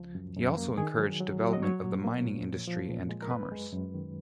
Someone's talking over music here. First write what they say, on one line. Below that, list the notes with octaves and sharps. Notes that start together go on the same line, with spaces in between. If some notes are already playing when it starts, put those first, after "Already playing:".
He also encouraged the development of the mining industry and commerce.
Already playing: C#2 F3
F#2
F#2
A#3
D#3 G#4
F#3
F#3
F#3
D#5
F#3 C#5
A#2
A#3
A#2
F3
F3
A#2
G#3
A#4
F#2 B4
G#3
F#2
D#3